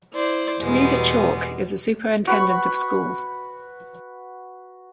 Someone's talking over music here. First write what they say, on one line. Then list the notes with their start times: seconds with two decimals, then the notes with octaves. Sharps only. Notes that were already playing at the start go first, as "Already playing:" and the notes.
Teresa Chaulk is the Superintendent of Schools.
0.13 E4 C5 D5
0.61 E2 B2 G3 G#3 B3
2.27 F#4 B4 B5 C#6